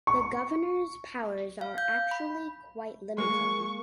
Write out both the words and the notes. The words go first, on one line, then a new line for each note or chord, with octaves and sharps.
The governor's powers are actually quite limited.
C#6
F5
G6
B5
G#3 A#3 C#6